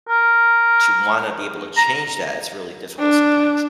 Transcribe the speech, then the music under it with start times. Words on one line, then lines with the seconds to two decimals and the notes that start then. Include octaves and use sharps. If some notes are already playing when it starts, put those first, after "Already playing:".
to wanna be able to change that, it's really difficult sometimes.
0.09 A#4
1.77 A#5
2.99 D4